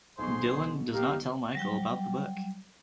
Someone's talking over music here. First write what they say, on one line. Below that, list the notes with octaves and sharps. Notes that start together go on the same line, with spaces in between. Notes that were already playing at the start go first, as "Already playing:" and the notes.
Dylan does not tell Michael about the book.
B1 B2 G#4 C5 C6 C#6
D#4 G4 A#4 F5
F#3 G3 G5